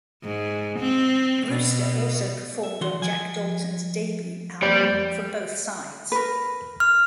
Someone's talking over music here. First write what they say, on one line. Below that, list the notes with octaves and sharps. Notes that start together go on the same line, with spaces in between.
Brewster also performed on Jac Dalton's debut album "From Both Sides".
G#2
C4
B2
E5
E3 F#4 C6
F3 G#5
F2 G3 A#3 C5 D5
A#4 B4
F6